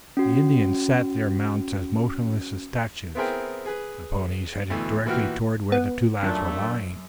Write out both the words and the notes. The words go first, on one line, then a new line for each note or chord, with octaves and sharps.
The Indians sat their mounts as motionless as statues, the ponies headed directly toward where the two lads were lying.
C#4 F#4
B3 C4 E4 G#4 A#4 G5
G#4 B4
D2 B2 E3
A#2 E3 B3 F#4 G5 F6
B3
F#2 A#2 A3 D4